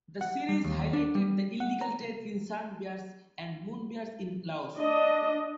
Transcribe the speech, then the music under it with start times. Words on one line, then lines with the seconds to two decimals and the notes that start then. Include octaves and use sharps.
The series highlighted the illegal trade in sun bears and moon bears in Laos.
0.21 F#5
0.49 G3
0.64 D#2
0.93 D4
1.15 G3
1.60 F#5
1.81 A#5
4.78 D4 D#5